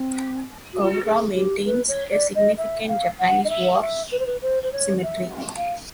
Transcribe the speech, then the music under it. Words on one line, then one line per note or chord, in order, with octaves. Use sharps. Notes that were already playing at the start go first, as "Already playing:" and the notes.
Cowra maintains a significant Japanese war cemetery.
Already playing: C4
F#4
F4
F#4
G#4
G4
B4
C#5
D5
D#5
E5
F5
F#5
D#5
E5
F5
E5
B4
C5
B4
C5
C5
C#5
E5
F5